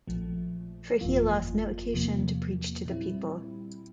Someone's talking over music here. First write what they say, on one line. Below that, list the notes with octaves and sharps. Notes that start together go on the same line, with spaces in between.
For he lost no occasion to preach to the people.
A#1 A#2 F3 A3
G1 F2 E3 A#3 F4
E2 C3 F3 A#3
A#2 G3 C4 E4